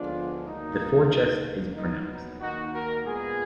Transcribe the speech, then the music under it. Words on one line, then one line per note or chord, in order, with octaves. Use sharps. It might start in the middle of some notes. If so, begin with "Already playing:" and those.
The forechest is pronounced.
Already playing: D3 F3 G#3 B3 D4 F4
D#3 F#3 A#3 D#4
D#3 A#3
A#2 F#3 B3 D#4
D#4
D#3 A#3 D#4 F#4
F#4 A#4
A#2 G#3 B3 F4 G#4